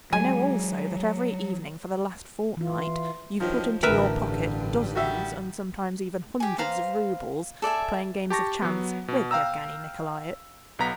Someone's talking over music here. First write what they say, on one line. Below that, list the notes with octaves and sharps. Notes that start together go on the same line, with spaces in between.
I know also that every evening for the last fortnight you've put into your pocket dozens and sometimes even hundreds of roubles, playing games of chance with Yevgeny Nikolaitch.
F#3 G#3 G#5
E3 F4
G2 D#3 F3 F#3
A1 D2 D3 A#4 B4 E5
G2
D#3 G3 F#4 E5
G4 G#5
B4 C5 F5 A#5
A4 D5 E5 G#5
G4 A5 C#6 A#6
F#3 B3
B2
F5 G5 A#5 E6
B1 B3 A#5 B6